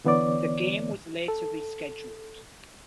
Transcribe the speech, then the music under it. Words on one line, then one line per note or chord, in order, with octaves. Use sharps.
The game was later rescheduled.
D3 E3 B3 C#5 D5 D6
A4